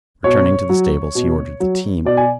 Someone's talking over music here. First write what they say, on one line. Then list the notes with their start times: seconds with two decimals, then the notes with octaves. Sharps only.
Returning to the stables, he ordered the team.
0.24 B2 C#5
0.69 F#3
1.15 B2
1.60 F#3
2.05 B2 D5
2.17 G#5